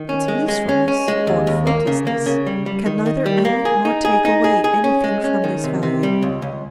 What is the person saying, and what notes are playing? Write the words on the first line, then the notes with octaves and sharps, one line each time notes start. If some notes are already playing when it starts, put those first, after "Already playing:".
Its usefulness or fruitlessness can neither add nor take away anything from this value.
Already playing: D#3
C#4
G#3
G#3
C#4
C#4
G#3
D#2
D#2
A#3
C#3
A#3
C#3
G3
G3
D#3
D#3
G3
A#3
G#4
D#4
G#4
D#4
G#4
G#4
C#4
G#3
C#4
D#3
C3
C3
G3
C#2
C#2